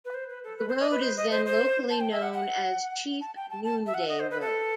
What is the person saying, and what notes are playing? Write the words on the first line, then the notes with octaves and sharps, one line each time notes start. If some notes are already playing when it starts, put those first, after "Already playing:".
The road is then locally known as Chief Noonday Road.
B4
C5
B4
A4
B4
C5
D#5
B4
C5
D#5
C5
C5
A5
G5
E5
F#5
F#5
A5
G5
A5
A5
E5
F#5
D#5
C5
B4
A4